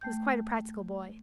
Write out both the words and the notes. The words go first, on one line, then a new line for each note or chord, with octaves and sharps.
He was quite a practical boy.
A3 G5 G6